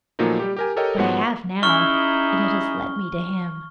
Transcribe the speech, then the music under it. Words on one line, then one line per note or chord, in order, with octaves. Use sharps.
But I have now, and it has led me to Him.
A#2 F3 F#3 A3 A#3 D#4
G3 G4
G4 A#4 G#5
G4 A4 A#4 C#5 D#5 G5
G#2 F3 B3 F#4 C#5 F#5
C#4 D#4 E4 G#4 C#6 F6 G7